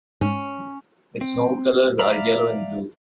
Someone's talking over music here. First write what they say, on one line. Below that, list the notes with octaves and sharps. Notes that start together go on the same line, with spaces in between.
Its home colors are yellow and blue.
G#2 C#4
C4
D5 E5 F5 A#5 B5